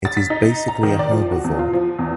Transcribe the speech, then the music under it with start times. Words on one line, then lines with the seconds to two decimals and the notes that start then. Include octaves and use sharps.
It is basically a herbivore.
0.05 A6
0.17 B6
0.30 D#4
0.68 A#5
0.83 D#3
0.99 D5
1.11 F3
1.32 F#4
1.44 E2
1.59 F4
1.73 F3
1.99 E2